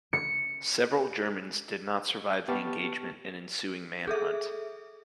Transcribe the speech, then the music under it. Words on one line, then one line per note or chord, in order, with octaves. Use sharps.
Several Germans did survive the engagement and ensuing manhunt.
C#7
B3 G4 A5 C#6 F6 A6
G#4 A4 E5